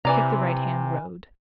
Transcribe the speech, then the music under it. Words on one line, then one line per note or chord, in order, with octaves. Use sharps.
Take the right-hand road.
C3 E3 D5 A#5